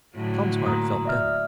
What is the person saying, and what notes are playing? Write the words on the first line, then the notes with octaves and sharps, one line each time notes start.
Tom's heart felt better.
A2 D3 F#3
A#3 A#5 D#6
D5 E5 F6